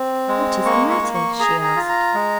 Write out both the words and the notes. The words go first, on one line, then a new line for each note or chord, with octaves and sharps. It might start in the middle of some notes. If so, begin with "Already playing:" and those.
"What is the matter?" she asked.
Already playing: C4
G#3
A#3 C#6
C#6
A#3
C#6
G#4 A#5
A#5
F4
A#5
G#3